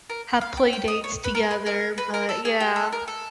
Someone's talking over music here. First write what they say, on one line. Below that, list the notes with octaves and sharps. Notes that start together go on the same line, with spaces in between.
have play dates together, but yeah.
A#4
F5
G5
G5
D#5
C#5
B4
A#4
B4
A#4
B4
A#4
A4
G#4
G4
A4
A#4
A4